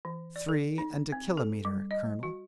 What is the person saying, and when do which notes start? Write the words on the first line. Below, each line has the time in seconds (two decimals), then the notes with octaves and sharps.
"Three and a kilometre, colonel."
0.05 E3
0.36 D5
0.49 A4
0.78 D#4
1.12 C4
1.37 A4
1.65 G3
1.91 D#5
2.23 F#4